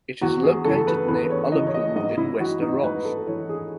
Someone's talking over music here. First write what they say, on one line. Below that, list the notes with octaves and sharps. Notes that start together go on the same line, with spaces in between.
It is located near Ullapool in Wester Ross.
E2 F#4
G#4
C#3 E3 A4
B4
E2 B4
C#5
C#3 E3 D#5
C#5
D#5
G#2 D#5
E4
E3 F#4
D#4
G#2 B4
A4
E3 C#5
G#4